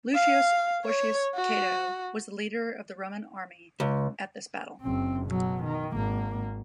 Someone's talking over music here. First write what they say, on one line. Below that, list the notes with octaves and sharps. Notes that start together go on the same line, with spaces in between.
Lucius Porcius Cato was the leader of the Roman army at this battle.
F5
C#5
F#4
C#2
F#1 C4
B2 F#3
D#3
G#1 A#3